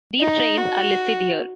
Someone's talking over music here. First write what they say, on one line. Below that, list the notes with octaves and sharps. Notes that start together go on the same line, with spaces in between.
These trains are listed here.
D#4
F#4